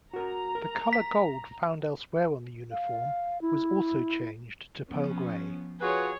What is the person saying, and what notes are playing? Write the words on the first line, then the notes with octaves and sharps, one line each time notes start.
The colour gold found elsewhere on the uniform was also changed to pearl-grey.
F#4 A#4 A#5
A#4
B6
F5
E4
F3 B3 C#4
F4 F#4 G#4 B4 C#5